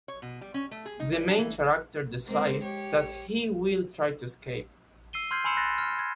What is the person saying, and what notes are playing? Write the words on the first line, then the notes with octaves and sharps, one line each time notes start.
The main character decides that he will try to escape.
C#5
B2
G3
C#4
A3
G#4
D#4
G3
D4
E3
G#3 A#3 C4
G4 C#5
E6 C7 D#7 G7
C6 F6 G6 G#6 C7
G#5 B5 C6 E6 C#7 E7
B5 F#6 A6 A#6
F6
G#6